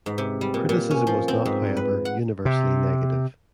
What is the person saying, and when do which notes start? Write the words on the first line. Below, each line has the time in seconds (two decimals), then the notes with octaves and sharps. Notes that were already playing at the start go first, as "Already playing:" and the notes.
Criticism was not, however, universally negative.
0.06 G#2
0.18 C3
0.41 G3
0.54 A#2
0.69 A#2
0.91 C#4
1.07 F3
1.28 C4
1.46 G#2
1.77 B4
2.05 F#5
2.45 C3